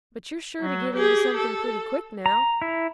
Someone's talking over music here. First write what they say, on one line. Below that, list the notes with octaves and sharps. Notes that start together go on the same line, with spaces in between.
"But you're sure to get into something pretty quick now."
F#3
G4 G#4
A4
A#5
E4